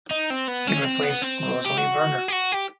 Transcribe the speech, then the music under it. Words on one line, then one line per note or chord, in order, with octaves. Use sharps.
He replaced Rosalie Verner.
D#4
C4
B3
C#4
C4
B3
C4
G4
F#4
G4
F#4
G4